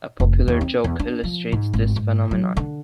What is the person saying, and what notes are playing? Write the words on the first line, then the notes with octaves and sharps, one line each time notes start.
A popular joke illustrates this phenomenon.
F1
D#2
C4
E2
D4
F3
G#2
G#1
G#2
F#3
D3